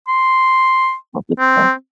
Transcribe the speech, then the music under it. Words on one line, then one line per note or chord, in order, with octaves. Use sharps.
Don't think so.
C6
C4